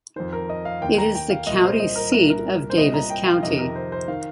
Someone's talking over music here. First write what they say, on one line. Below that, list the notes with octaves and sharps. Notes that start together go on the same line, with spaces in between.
It is the county seat of Davis County.
F2 D#3 C5
A#4
D#5
F5
D#2 D#3 G5
A#5
G5
F5
C2 A#2 D#5
C5
D#5
A#4
C2 A#2 A#4
A#4
C5
C2 A#2 D#5
A#5
G5
F5
F2 C3 D#3 D#5
A#4
C5
C5
D#3 F5